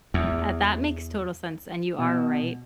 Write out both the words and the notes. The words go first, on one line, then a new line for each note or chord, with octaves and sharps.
Ah, that makes total sense. And you are right
E2
B2